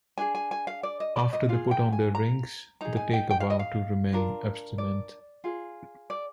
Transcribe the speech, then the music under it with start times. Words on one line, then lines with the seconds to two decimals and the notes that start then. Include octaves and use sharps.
After they put on their rings, they take a vow to remain abstinent.
0.18 D4 G#4 G#5
0.35 G#5
0.51 G#5
0.67 F5
0.83 D5
1.00 D#5
1.16 D5
1.33 D#5
1.49 F4 G#4 F5
1.71 G5
1.93 G#5
2.15 A#5
2.81 D#4 G#4 A#5
2.97 G#5
3.13 G5
3.31 G5
3.40 F5
3.50 D#5
3.59 F5
4.13 D4 F4 A#4
4.78 D5
5.44 F4 G#4
6.10 D5